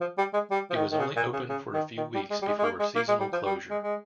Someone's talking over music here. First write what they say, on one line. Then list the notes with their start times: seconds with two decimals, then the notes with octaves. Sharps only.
It was only open for a few weeks before seasonal closure.
0.01 F3
0.18 G3
0.33 G#3
0.51 G3
0.70 F3
0.75 D#3
0.92 D#3
0.99 C#3
1.16 A#2
1.33 C#3
1.49 C#3
1.73 D#3
1.97 D#3
2.15 G3
2.30 G#3
2.42 G3
2.47 G#3
2.59 G#3
2.64 A#3
2.79 G#3
2.96 A#3
3.08 G#3
3.20 G3
3.33 F3
3.45 G3
3.70 G#3
3.83 G#3